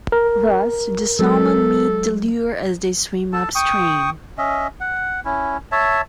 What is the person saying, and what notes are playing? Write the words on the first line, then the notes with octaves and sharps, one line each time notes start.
Thus, the salmon meet the lure as they swim upstream.
A#4
F#3 G#3 A4
A4 A5
G5 C#6 D#6
C#4 D#5 E5
F#5
C#4 E4
C#5 E5 A5